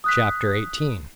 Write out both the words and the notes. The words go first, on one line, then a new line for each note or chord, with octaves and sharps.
Chapter XVIII.
D#6 F#6 B6